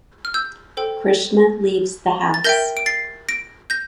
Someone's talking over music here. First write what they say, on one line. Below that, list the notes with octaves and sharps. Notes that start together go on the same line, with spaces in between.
Krishna leaves the house.
F6
E6 G6
A4 C5 G5
A6
A#4 E5 G5 G6 A#6
D7
A6 C7
A#6 D7
G6 A#6